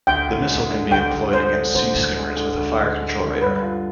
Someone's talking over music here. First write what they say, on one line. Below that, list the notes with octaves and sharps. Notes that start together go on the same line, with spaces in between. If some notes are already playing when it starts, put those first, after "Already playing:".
The missile can be employed against Sea skimmers with a fire control radar.
D2 G5
D2
G#3
D3
D2 G5
D2
G#3 C5
D3
D2 C5
D2
G#3
D3
D2
D2
G#3
D3
G2 B4
F4